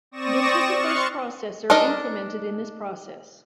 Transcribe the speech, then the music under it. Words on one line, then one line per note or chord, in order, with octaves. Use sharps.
This was the first processor implemented in this process.
C4 D5 C#6 D#6 A#6 E7
C6 C#6 F6 F#6 A6 C#7
D4 D#4 A#4 D#5